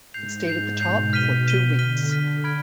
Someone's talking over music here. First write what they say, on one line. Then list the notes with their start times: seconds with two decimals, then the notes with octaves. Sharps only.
It stayed at the top for two weeks.
0.14 G#2 G6 C7 F7
0.47 G#2 G6 C7 F7
0.80 B2 G6 C7 F7
1.13 F6 B6 D#7 G7
1.46 F6 B6 D#7 G7
1.78 D3 F6 B6 D#7 G7
2.11 F6 B6 D#7 G7
2.44 B5 F6 G#6 D7